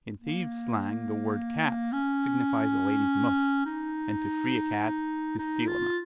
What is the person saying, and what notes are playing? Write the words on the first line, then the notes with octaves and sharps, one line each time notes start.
In thieves' slang the word "Cat" signifies a lady's muff, and "to free a cat" to steal a muff.
A#3
C#4
D#4
D#4
F4